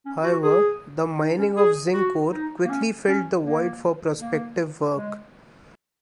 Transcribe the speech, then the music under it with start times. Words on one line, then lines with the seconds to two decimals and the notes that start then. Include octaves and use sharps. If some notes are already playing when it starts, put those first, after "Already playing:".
However, the mining of zinc ore quickly filled the void for prospective work.
0.06 C#4
0.24 F#4
0.43 G#4
1.19 D#4
1.38 C#4
1.57 G#4
1.94 F#4
2.32 D#4
2.65 A#3
2.69 C#4
3.08 C#4
3.45 A#3
4.21 A#3
4.97 G#3